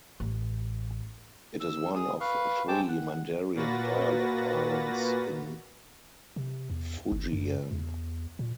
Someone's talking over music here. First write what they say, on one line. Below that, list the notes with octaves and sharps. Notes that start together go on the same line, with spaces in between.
It is one of three Mandarin dialect islands in Fujian.
A1
E6
G#4 D#6
B4 F5 C#6
G#3 C4 G5 A5 D6
F#5
A#2 A#3 F#4 B4 A6 A#6
C3
E2
G1
F#2
E2
A#2